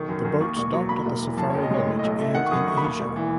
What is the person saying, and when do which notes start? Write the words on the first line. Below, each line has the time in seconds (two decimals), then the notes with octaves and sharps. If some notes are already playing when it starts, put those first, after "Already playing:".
The boats docked at the Safari Village and in Asia.
Already playing: B1 D#3 C#6
0.09 F#2
0.24 F#2
0.40 D#2 C#6
0.57 E1 C#6
0.73 F#3 C#6
0.89 D#2 B5
1.06 E1
1.21 E3
1.37 F#2 A5
1.50 F#1 C#5
1.63 D#5
1.71 G#3 C#5
1.87 A2
1.99 D#5
2.03 B1
2.10 D#5
2.19 A3 E5
2.35 D#3 F#5
2.46 C#6
2.51 F#2 D#6
2.68 A3 C#6
2.77 B5
2.83 D#2 C#6
3.00 E1
3.16 E3